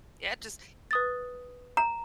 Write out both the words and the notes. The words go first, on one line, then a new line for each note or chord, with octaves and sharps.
Yeah, it just
B4 D#6 A6
A#5